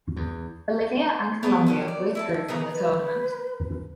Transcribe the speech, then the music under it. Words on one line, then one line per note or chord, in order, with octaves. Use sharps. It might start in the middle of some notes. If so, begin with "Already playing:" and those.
Bolivia, and Colombia withdrew from the tournament.
E2
B3 G#4 D5 A5
F#3 C#4 G4
D5
E4 G#5 A5
C#3 B3 G#4 A#5
B4